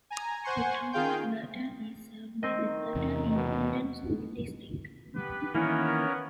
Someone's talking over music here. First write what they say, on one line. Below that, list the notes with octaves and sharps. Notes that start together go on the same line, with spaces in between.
The Town of Burton is served by the Burton Independent School District.
G#5 A#5
C5 F#5 G#5 C6 C#6
D#3 F4 G#4 F5 G5 G6
D#3 C4 D#5
E2 C3
B2
B3 G4 B4
D#3 E3 A#3 B3 C#4 E4 A#4 C#5